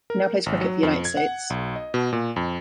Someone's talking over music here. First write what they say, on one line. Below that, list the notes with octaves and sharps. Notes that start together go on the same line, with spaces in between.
He now plays cricket for United States.
A#4
G#1
F#3
F2
G#6
F#5
B1
D#5
B2
A#2
F2